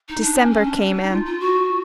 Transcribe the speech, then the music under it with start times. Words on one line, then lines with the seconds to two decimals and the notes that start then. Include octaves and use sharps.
December came in.
0.09 D#4
0.21 D4
0.35 C#4
0.50 C#4
0.65 D4
0.80 D4
0.95 D#4
1.10 F4
1.25 F4
1.40 F#4